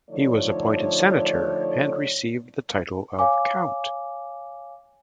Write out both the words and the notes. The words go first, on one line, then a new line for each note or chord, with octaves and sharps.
He was appointed senator and received the title of count.
D3 F3 A3 D#4 C#5 D5
C#5 F5 G#5 D6